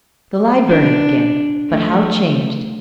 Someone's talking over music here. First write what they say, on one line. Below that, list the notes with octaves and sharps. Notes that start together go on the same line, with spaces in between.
The library again! but how changed!
D4
F3 A3